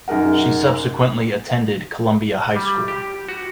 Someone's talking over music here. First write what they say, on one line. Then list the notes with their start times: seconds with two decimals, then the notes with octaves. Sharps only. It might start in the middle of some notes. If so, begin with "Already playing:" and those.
She subsequently attended Columbia High School.
0.08 F#2 D#4 G#4 A#4 F#5
2.56 G3
2.88 G4
3.29 F#4